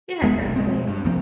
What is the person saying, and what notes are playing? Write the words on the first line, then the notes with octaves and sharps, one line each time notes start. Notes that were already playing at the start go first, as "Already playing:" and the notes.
Yeah, exactly.
E1 G#3 B3
E1 C2
B2 G#3 C4
G2
C2 F3 A#3 C4